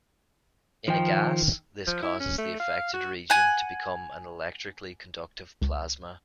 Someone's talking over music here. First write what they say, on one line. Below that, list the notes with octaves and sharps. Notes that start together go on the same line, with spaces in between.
In a gas, this causes the affected region to become an electrically conductive plasma.
D#3 F3 G5
F3
E4
C#4
A3
F5
F#4
F#5 G#5
C#2